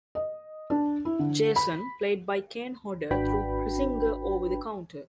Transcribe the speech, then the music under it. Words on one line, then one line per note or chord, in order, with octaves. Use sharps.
Jason, played by Kane Hodder, threw Kirzinger over the counter.
D#5
D4
E4
D3
B5
G#1 D4 F#4 B4 G5 B5